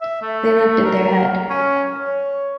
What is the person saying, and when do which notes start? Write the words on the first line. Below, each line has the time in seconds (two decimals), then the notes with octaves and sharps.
They lifted their head.
0.01 E5
0.22 A3
0.85 A#4
1.50 C#4
2.00 C#5